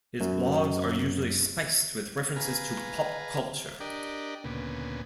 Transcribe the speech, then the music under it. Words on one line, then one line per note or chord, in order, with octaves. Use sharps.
His blogs are usually spiced with references to pop culture.
F#2
G#4 B4 F5 A#5
D4 G4 A#4 D5 D#5
D2 A#2 C#3 B3